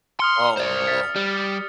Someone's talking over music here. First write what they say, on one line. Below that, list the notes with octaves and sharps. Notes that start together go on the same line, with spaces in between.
Oh, no.
C6 D#6 F6 C#7
C5 D5
A6 B6 C#7
G3